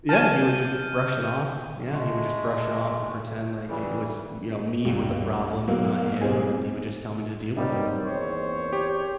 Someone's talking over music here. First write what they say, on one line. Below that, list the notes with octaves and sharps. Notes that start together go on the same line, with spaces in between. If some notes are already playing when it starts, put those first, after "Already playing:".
Yeah, he would just brush it off. Yeah, he would just brush it off and pretend like i it was, you know, me with the problem and not him, and he would just tell me to deal with it.
G#5 A5 F6 G6 D#7
G#3 A3
C#3 E3 G3
C#2 G2
B2 F#3 A#3
B1 G3 C4 G#4
D#3 F#3 G3 A#3 C4 D#4
E2 C5 C#5
G4